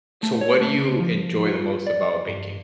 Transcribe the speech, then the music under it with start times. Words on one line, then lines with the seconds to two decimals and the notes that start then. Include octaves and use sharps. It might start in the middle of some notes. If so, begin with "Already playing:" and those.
So what do you enjoy the most about baking?
0.23 A3
0.41 C#5
0.61 A3
0.78 C#2
1.00 F3
1.46 F4
1.87 D5
2.28 G2